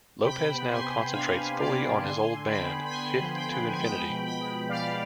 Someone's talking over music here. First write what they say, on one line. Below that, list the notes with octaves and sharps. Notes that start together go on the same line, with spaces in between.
Lopez now concentrates fully on his old band, Fifth to Infinity.
C3 G5 B5
B3
G#5 C6
C3
B5
D4 F5 G#5
D4
D5 F5
D4
D3 G#5 C6
D3
G5 B5
B3
B5
B3 G#5 C6
F3
G5 B5
B3
G#5
G#3 G5 B5
B2
G5 B5
G#3
B2 D5 F5